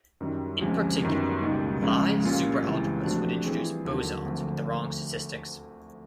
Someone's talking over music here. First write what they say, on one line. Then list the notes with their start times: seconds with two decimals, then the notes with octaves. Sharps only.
In particular Lie superalgebras would introduce bosons with the wrong statistics.
0.20 F#2 D#3 G3
0.61 D2 C3 F3 G#3 C#4
1.01 F#2 D#3 G3 B3
1.41 C#2 B2 G3 A#3 D#4
1.82 C#2 C#3 F3 G#3
2.22 A#2 G3 A#3 C#4 F4
2.63 C#2 C3 E3
3.04 C3 F3 A3 D4 F#4
3.44 E3 G3 C4 F4 G#4
3.85 D#2 D3 F#3
4.25 D2 D3 F3 A3 C4